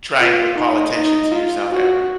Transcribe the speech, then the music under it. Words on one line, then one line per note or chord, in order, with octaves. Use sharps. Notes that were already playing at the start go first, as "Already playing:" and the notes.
trying to call attention to yourself ever?
F4
D#4
D#4
F4
F#4